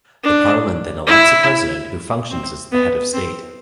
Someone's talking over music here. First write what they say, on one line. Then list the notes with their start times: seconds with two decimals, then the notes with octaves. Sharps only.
The parliament then elects a president, who functions as the head of state.
0.24 D4
1.07 E4
2.31 C4
2.72 B3
3.14 C4